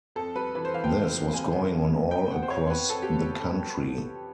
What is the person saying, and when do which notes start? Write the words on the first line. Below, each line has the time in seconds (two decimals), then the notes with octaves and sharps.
This was going on all across the country.
0.16 F2 A4
0.35 G3 B4
0.55 E3 B4
0.65 C5
0.74 E3 F5
0.84 G5
0.94 E3
1.13 F2
1.33 F2 G#5
1.53 C#3
1.72 F2
1.92 F2
2.11 F2 G5
2.31 F2 F#5
2.42 C5
2.50 F2 C#5
2.70 F2 B4
2.89 F2 A4
3.02 G4